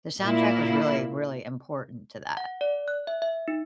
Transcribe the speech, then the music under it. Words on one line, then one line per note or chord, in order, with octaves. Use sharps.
The soundtrack was really, really important to that
A#2 A#3 E4
F#5
D5
F#6
E5
E5
D#4